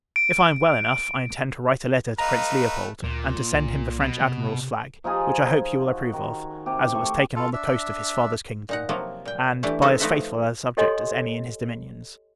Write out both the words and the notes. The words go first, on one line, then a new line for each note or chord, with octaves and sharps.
If I am well enough, I intend to write a letter to Prince Leopold, and to send him the French Admiral's flag; which I hope you will approve of, as it was taken on the coast of his father's kingdom, and by as faithful a subject as any in his dominions.
D7
A3 B4 D#5 F5 A#5
D2 A#2
C2
B2
C3
F3 D#4 F4 G#4
F#4
D#3
C3 G4
A3 C#6
F4 A4
D4 E5
A#2 D#4 F#5
C3 F3 F#3 A#3
A#2 G5
E3 A3 D4 E4 G4
C4 D#4 A4 B4
F3 A3 D#4 A4 B4 E5
G4 A4 C#5 D#5 G#5 C6